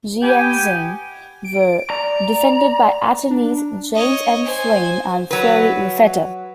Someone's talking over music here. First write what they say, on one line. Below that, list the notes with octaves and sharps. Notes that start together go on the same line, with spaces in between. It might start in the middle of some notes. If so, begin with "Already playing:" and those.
Gee and Sing were defended by attorneys James M. Frame and Fiore Raffetto.
B3 G4 G5 G#5
D7
D5 A#5
D4
C#5 D#5
C5 G#5
F#3 B4